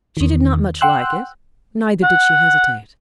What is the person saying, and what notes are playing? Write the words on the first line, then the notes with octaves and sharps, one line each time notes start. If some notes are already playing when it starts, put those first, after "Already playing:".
She did not much like it, neither did she hesitate.
E2 D#3
F#5 G5 C6 E6 F#6
F#5